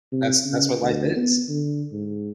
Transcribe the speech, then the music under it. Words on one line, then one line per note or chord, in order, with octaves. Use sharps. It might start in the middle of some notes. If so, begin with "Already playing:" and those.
that's that's what life is.
C3
C#3
D2
B3
D3
G#2